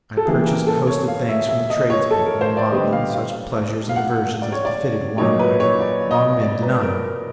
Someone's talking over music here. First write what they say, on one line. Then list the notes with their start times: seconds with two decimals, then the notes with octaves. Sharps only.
I purchased a host of things from the tradespeople, and bought me such pleasures and diversions as befitted one who had long been denied.
0.17 A4
0.25 C#3 E3 G3 A#3 G#4
0.47 A#4
0.67 A4
0.87 C#5
1.08 F5
1.29 E5
1.49 E5
1.70 D#5
1.90 C#5
2.11 A4
2.26 A#4
2.41 C5
2.57 D5
2.72 D3 G3 B3 D#5
2.93 F5
3.13 F5
3.89 F5
3.96 F#5
4.11 F#5
4.42 D5
4.52 C#5
4.65 D5
5.18 A#2 F#3 A#3 D#4 C#5
5.39 B4
5.60 C#5
5.80 D5
6.11 D#5
6.41 D5
6.62 B4
6.83 A#4